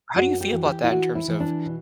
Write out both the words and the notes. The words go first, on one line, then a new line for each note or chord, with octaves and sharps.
how do you feel about that in terms of
F#2 F#4
G4
E3
G4
E4
E3 F#4
E4
E3
D4
B2